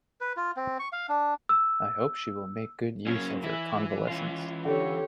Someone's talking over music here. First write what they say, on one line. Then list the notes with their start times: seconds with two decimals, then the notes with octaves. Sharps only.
I hope she will make good use of her convalescence.
0.21 B4
0.37 F4
0.57 C4
0.79 C#6
0.92 F5
1.09 D4
1.49 E6
3.07 F#3 A#3 C#4 C#5
3.44 E3 E4
4.07 C#4 F4
4.65 D3 G4 C#5